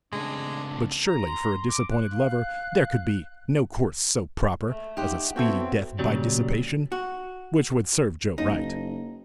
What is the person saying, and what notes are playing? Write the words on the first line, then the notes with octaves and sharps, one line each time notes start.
But surely, for a disappointed lover there could be no course so proper as a speedy death by dissipation--which would serve Joe right.
C#3 G#3 A3 C4 D4
A#5
C6
D6
F#6
F5
A3
D#4 G4 C5 F#5
B3 C4 E4 F#4 A4 C#5 G5
A#2 C#3 F#3 G3
F#4
F#1 D#4